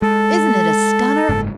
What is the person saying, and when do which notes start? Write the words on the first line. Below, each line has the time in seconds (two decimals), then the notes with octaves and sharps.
Isn't it a stunner?
0.02 G#3 A4
1.29 F#1 G#2